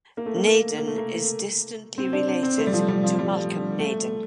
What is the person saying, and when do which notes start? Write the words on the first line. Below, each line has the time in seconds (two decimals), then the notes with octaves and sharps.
Naden is distantly related to Malcolm Naden.
0.17 A#3
0.26 A3
0.36 A#3
0.47 A#3
0.78 A#3
0.88 A3
0.98 A#3
1.98 C4
2.13 D4
2.28 D4
2.43 C4
2.58 A3
2.67 G3
2.73 F3
2.88 G3
3.03 F3
3.19 G3
3.79 A3